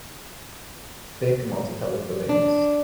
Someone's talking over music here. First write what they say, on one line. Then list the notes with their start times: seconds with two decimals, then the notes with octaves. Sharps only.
Big multicolored balloons.
2.29 D4